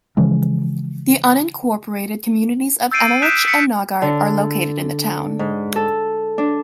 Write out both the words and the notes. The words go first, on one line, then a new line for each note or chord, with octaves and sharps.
The unincorporated communities of Emmerich and Naugart are located in the town.
C#3 E3 F3 G#3
E6 G6 A6 C7 D7 D#7
D#6 F#6 G6 B6 D7 E7
B6 C#7
D3
G#2
A4
D4